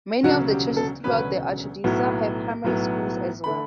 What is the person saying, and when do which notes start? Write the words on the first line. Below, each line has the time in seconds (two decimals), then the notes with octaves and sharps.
Many of the churches throughout the archdiocese have primary schools as well.
0.23 E1 D2 C#3 F#3 C#4 F#4
0.50 G4
0.77 A4
1.04 E1 D2 C#3 F#3 C#4 B4
1.84 B1 A2 F#3 B3
2.64 B1 A2 F#3 B3
3.44 D3 A3 B5